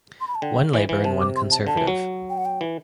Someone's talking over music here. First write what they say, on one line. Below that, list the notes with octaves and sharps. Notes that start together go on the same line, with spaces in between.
One Labour and one Conservative.
C6
B5
A5
D3 G5
E3
E3
C3 A5
D6
C6
A5
D3 A5
E3
F#3
G5
F#5
G5
E3